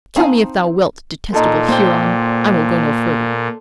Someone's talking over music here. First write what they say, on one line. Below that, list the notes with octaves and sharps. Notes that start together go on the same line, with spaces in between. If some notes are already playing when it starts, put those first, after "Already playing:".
"Kill me if thou wilt, detestable Huron; I will go no further."
C4 D#4 F5 G#5 A5
A#2 D#4 A4 C6
A#3 C5 D5 G5